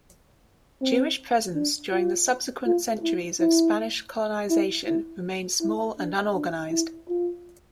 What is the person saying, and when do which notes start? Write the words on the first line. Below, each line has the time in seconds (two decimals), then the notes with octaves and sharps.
Jewish presence during the subsequent centuries of Spanish colonization remained small and unorganized.
0.81 C4
1.55 D4
1.92 F4
2.66 F4
3.02 E4
3.40 E4
4.50 E4
4.87 E4
5.61 E4
5.99 D4
6.34 D4
6.71 E4
7.09 F4